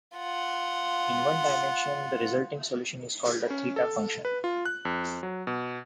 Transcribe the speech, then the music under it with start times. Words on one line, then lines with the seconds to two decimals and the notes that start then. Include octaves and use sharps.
In one dimension, the resulting solution is called a theta function.
0.17 F4 F#5
3.50 C#4
3.76 A4
4.25 B4
4.44 F4
4.65 F#6
4.85 F2
5.23 F#3
5.47 B2